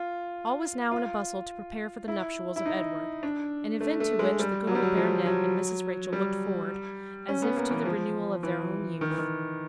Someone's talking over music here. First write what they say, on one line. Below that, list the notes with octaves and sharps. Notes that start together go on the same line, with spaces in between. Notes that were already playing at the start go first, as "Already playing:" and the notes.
All was now in a bustle to prepare for the nuptials of Edward, an event to which the good old Baronet and Mrs. Rachel looked forward as if to the renewal of their own youth.
Already playing: F4
F4
E4
E4
D#4
D4
A3
A3
G#3
G3
F#3
G3
F#3
F3
F#3
G3
C#4
B3
A#3
E3
F3
E3
D#3
E3
D#3